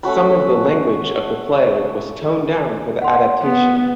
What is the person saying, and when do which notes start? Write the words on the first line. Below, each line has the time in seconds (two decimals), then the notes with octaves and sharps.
Some of the language of the play was toned down for the adaptation.
0.03 A3 C#4 F#4 B5
3.02 F#5 C6
3.43 B3